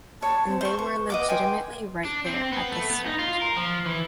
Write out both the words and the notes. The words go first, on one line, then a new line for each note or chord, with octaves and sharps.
And they were legitimately right there at the start.
C#5 A5
C4
C5 C#6
B4 C#6
D#5 F#5 D6
B4 G5 G#5 C6
D4
C4
B3
A3
B3
D#4
F4
A#4
F3
E3